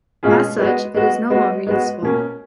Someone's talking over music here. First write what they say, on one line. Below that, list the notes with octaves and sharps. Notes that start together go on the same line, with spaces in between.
As such, it is no longer useful.
B2 G#3 C#4 F4 G#4
G#3 B3 F#4
G#3 B3 F#4
G#3 B3 F#4
G#3 B3 F#4
B2 A#3 C#4